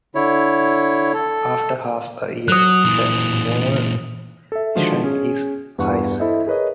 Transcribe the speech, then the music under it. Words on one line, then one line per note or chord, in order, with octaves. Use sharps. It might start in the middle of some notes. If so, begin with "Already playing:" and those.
After half a year, the mall shrank its size.
D3 E4 C#5
A4
F#3 D#6 F#6
A#2 E3
A4 E5
D3 D#3 F3 G#3 F4 F#4
C#4 G#4
E2 G2 B4 F#5 C#6
E4 A4 C5 D#5 E5
G#4 A#4 B4 C#5 D#5